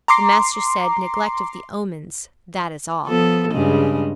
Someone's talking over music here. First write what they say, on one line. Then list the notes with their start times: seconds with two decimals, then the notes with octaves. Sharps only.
The Master said, Neglect of the omens, that is all.
0.08 A#5 C6 D6 C7
3.06 F3 B3 A4
3.51 G2 C#3 G#3